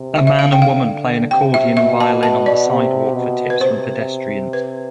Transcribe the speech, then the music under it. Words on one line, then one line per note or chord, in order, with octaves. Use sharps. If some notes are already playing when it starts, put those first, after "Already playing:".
A man and a woman play an accordion and violin on the sidewalk for tips from pedestrians.
Already playing: C3
E5
E5
D3 F5
G5
F5
C3 G5
E5
B2 E5
A5
A5
D5
C3
B2
B4
C3 C5
B4